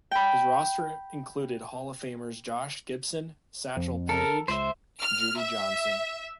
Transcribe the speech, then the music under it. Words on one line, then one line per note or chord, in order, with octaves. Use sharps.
His roster included Hall of Famers Josh Gibson, Satchel Paige, and Judy Johnson.
G5 B5
F2
A4 A#4
C#2 C5 E5
F6
E5